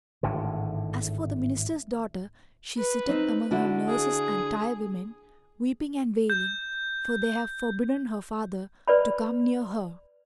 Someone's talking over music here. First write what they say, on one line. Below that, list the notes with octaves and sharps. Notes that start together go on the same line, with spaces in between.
As for the Minister's daughter she sitteth among her nurses and tirewomen, weeping and wailing; for they have forbidden her father to come near her.
G#1 A2 D3
B4
C4 D#4
D3 E4 F#4
G#4
G6
B4 D5 B5